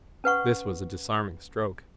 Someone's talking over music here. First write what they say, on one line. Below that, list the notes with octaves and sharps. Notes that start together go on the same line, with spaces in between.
This was a disarming stroke.
C#4 B4 F#5 C#6